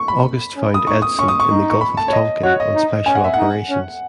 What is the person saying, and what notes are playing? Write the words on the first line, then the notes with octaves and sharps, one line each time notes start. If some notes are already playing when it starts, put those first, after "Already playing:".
August found "Edson" in the Gulf of Tonkin on special operations.
Already playing: C#6
B5
C#4
D#6
D#4 C#6
D#6
C#4 C#6
D#6
C#6
D#4
C#6
B5
A5
C#5
D#5
F#4 C#5
D#5
D#4
C#4 G#5
F#5
E5
D#4 F#5
C#4